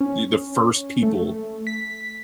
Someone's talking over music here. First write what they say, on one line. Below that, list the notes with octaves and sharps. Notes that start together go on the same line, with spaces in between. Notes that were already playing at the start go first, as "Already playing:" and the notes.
e the first people
C#4
A3
B6